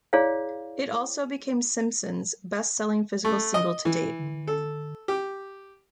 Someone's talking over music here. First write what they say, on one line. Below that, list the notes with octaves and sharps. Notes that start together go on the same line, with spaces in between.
It also became Simpson's best-selling physical single to date.
E4 G#4 C#5 D5 F5
A3
D#5
E3
A4
G4